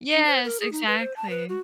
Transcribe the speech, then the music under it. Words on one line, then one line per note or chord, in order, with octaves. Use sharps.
Yes, exactly.
D4
C5
A#4
G#4
D#4
B4
C5
A5
B4
F#4